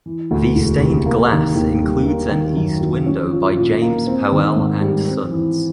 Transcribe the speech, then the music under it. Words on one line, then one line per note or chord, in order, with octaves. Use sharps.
The stained glass includes an east window by James Powell and Sons.
E3
D2
E1
C3
A#3
D#3
D#2
G3
A#3
D#3
F#2
F#3
C#4
F3
A#2
A#3
C4
D#3
G#2
G3
C4
E3